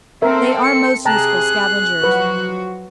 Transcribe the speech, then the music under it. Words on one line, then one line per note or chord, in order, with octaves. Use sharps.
They are most useful scavengers.
C4 A4 A#4 E5
C#7
C3 G#4 G5 A5 A#5 F#6
F3 F#3 F#4 B4